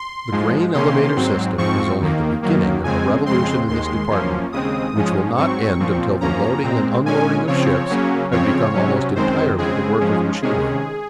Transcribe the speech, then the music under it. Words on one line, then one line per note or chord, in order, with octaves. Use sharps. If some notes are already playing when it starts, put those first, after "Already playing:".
The grain-elevator system is only the beginning of a revolution in this department which will not end until the loading and unloading of ships have become almost entirely the work of machinery.
Already playing: C6
G#2 F3 G#3
C3 D#3 A#3 C#4 C6
G#2 F#3 C4
G#2 F3 C4 C#6
D#2 D#3 A#3
F#2 D#3 F#3 A#3
F2 C#3 G#3 C4 G#5
F2 C#3 G#3 C4 C6
D#2 D#3 G#3 C6
F#2 F3 A#3 C#4
D#2 C#3 G#3 C4 D#6
G#2 F3 G#3 C#4
G#2 F#3 C4 C#6
A#2 F3 C4
F#2 F3 A#3 C#4 A#5
A#2 G#3 C4
A#2 G#3 C#4 G#5
C#3 F3 C4 C#5
C#3 F#3 A#3 C#4
F2 C#3 F3 C4 C#5
C3 F#3 C#4
F#2 D#3 G#3 C4 C5
C#3 G#3 C4 G#4
G#2 F3 G#3 C#4
C3 D#3 G#3 C#4 G#4